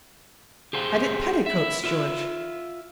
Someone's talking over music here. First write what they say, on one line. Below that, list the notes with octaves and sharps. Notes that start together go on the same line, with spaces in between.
"Had it petticoats, George?"
G4 G#4 C5 F5 G5
E4 E5
F4 E5